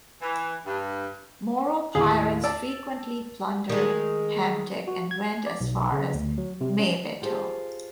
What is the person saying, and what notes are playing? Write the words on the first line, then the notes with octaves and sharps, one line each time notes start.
Moro pirates frequently plundered Hamtic and went as far as Maybato.
E3
G2
D#2 A2 G#4
D5 A5 E6
D#3 G#3
F#4
G#6
D5
B1
C#3
D2
F#3
C3
C#4
F4 G4 G#4 C5 A5